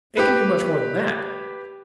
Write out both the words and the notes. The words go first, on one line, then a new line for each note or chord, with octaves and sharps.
It can do much more than that.
G4 B4